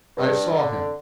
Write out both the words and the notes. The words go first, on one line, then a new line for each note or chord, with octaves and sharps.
I saw him.
G2
D3